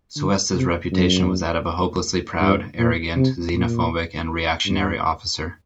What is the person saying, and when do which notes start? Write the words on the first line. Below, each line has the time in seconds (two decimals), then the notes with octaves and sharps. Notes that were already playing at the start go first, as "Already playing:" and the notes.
Cuesta's reputation was that of a hopelessly proud, arrogant, xenophobic, and reactionary officer.
0.16 D3
0.53 C3
0.92 F#2
2.41 G2
2.79 A#2
3.16 C3
3.54 A#2
4.66 G2